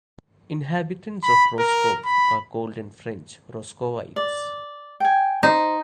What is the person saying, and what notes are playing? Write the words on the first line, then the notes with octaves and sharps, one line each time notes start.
Inhabitants of Roscoff are called in French "Roscovites".
B5
A#4
B5
D5
G5 G#5
D#4 C5